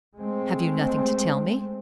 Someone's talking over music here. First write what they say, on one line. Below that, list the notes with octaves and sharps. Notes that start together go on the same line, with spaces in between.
"Have you nothing to tell me?"
G#3 A3 C4